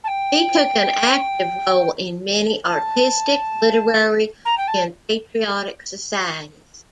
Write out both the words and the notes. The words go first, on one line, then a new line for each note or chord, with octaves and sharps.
He took an active role in many artistic, literary and patriotic societies.
A5
G5
A5
A#5
G5
A5